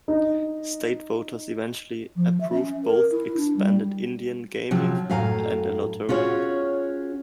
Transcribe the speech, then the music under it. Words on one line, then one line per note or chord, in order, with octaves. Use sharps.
State voters eventually approved both expanded Indian gaming and a lottery.
D#4
F3
E5
C#4
A#4
E4
D4
G3
C3 F3 F#3
F#2 A2 F5 G#5 A#5
C#4 F4 F#4 G#4 C#5